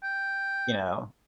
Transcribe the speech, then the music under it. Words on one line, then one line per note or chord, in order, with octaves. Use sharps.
you know?
G5